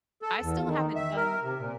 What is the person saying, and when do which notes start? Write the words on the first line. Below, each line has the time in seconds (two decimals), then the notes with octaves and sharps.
I still haven't done
0.22 A4
0.42 E2
0.66 D#3
0.96 E5
1.16 A#4
1.43 C3
1.59 A#2